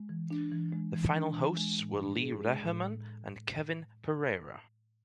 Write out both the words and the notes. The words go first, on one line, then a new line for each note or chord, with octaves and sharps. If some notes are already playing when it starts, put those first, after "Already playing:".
The final hosts were Lee Reherman and Kevin Pereira.
Already playing: G#3
E3
D4
E3
G#3
E3
D4
E3
G#3
A2
D4
G#4
G#3
A2